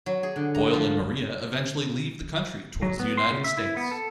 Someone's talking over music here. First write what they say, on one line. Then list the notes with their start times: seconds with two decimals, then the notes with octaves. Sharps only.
Boyle and Maria eventually leave the country towards the United States.
0.06 F#3
0.23 G#4
0.36 D3
0.55 A#5
0.73 F3
2.82 F#3
3.00 B3
3.18 C6
3.31 C#3
3.44 E5
3.57 E4
3.77 B3
3.91 A4